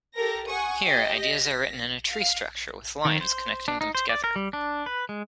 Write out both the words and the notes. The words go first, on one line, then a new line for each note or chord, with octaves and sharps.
Here, ideas are written in a tree structure, with lines connecting them together.
G4 A4 A#4 A#6
F#5 G#5 C#6 D#6
G4 D#5 G5
A#6 B6
F5
D#3
C5
D4
D#4
C5
D5
A#4
G3
D4
B4
G#3